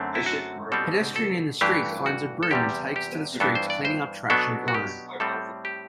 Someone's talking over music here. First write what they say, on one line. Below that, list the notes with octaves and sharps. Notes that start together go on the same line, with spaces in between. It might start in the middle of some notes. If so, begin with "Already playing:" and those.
Pedestrian in the street finds a broom and takes to the streets cleaning up trash and crime.
Already playing: F#2 D3 A3 C4
E4
F#4
B2 G3 C4 A4
A4
G2 E3 A3 D4 G4
F#4
A4
E2 C3 G3 G4
G4
G2 E3 B3 D4 A4
C5
D5
C5
B2 F#3 B3 D4 A4
F#4
G4
A2 G3 C4 A4
G4